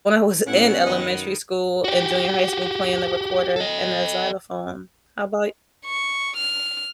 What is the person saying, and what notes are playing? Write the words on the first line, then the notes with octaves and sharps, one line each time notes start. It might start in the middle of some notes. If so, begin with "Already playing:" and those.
when I was in elementary school and junior high school playing the recorder and the xylophone. How about
A2 G3 B3 C#4 E4 F#5
F#2 D#3 B4 D#5
F#4 G4
A4 D#5
C#6
F6